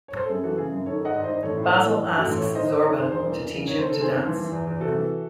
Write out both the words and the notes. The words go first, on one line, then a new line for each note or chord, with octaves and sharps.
Basil asks Zorba to teach him to dance.
C#5
C5
A4
F#2 G#4
E3 F#4 A4
C#3 G#4
F#2
D#3 A4 C#5
G#2 D#5 F#5
G#1
C5 D#5
G#1
A1 A4 C#5
A2
C5
A2 A4 C#5
E3
A2
A1
F#4 A4
A1
A2 A4 C#5
D#3 C5 D#5
G#1 C5 D#5
D#3 A4 C#5
G#1 G#4 C5
E1 G#4 C5
E3
E1
C#3
D#3 C#5
D#3 C5
A4
D#3 G#4 C5
D#2
E3
E3
E2
E2
C3 F#4 A4
E3